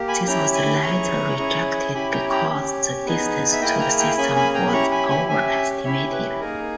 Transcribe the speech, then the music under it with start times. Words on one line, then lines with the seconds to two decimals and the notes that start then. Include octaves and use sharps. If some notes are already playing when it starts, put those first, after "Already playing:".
This was later rejected because the distance to the system was overestimated.
Already playing: A#3 G4
0.08 G#5 B5
0.27 C#4 E4 G4 G5 A#5
0.55 G#5 B5
0.82 C#4 E4 G#4 A#5 C#6
1.38 C#4 E4 G#4
1.94 C#4 E4 G4 G#5 B5
2.13 G5 A#5
2.31 G5 A#5
2.50 C#4 G4
3.06 B3 D#4 G#4
3.52 E5
3.61 A#3 E4 G#4 D#5 G5
3.80 G5 A#5
3.98 G5 A#5
4.17 A#3 C#4 G#4 G#5 B5
4.36 G#5 B5
4.54 G5 A#5
4.67 B5
4.73 C#4 E4 G4 A#5 C#6
4.91 G#5 B5
5.10 G#5 B5
5.29 C#4 G4 E5 G#5
5.84 C#4 E4 G4 C#5 E5
6.12 B4
6.40 A#3 D#4 G#4 A#4